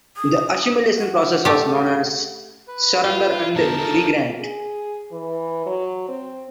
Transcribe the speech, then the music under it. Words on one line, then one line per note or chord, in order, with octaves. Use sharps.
The assimilation process was known as "surrender and regrant".
D#6
F#5
A3 G4
B4
F4
D3 B3 D#4 A#4 A5
D#4 F4 A4
G#4
E3
F#3
C4